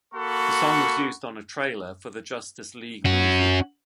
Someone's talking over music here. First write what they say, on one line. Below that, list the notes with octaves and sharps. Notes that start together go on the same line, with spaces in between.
The song was used on a trailer for the Justice League movie.
A#3 F#4 A4 F#5 B5 C#6
C#4 F#4